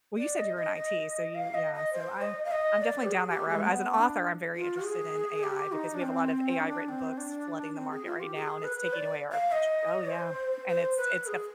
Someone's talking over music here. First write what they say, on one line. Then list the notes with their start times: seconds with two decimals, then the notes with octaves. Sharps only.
Well, you said you were in IT. So you yeah, so I I'm definitely down that rabbit As an author, I'm very interested in AI because we have a lot of AI written books flooding the market right now, and it's taking away our j Oh yeah. And it’s it’s def
0.18 D5
0.38 D#5
0.57 D#5
0.76 D#5
1.35 F5
1.54 D#5
1.74 D#5
1.93 C5
2.22 D#5
2.45 F5
2.52 D#5
2.80 D5
3.04 G4
3.10 G#4
3.29 G4
3.49 G#3
3.68 B3
3.98 D4
4.56 F4
4.84 G#4
5.43 G4
5.72 D#4
5.94 D4
6.02 C4
6.60 D4
6.89 C4
7.18 D4
7.77 C4
7.91 G#4
8.05 F4
8.20 G4
8.35 G#4
8.64 B4
8.93 D5
9.32 F5
9.52 D#5
10.10 C5
10.69 C5
10.97 B4
11.27 G#4